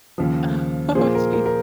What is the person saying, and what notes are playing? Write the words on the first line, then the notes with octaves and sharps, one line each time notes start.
Oh, gee.
D#2 C#3 F3
A#2 F3 A#3 G#4 C5
A#4
A#4
A#4